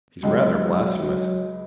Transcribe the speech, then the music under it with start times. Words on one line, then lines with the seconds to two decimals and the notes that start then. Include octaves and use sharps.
He's rather blasphemous.
0.22 C#2 C#3 F#3 G#3
1.03 F#3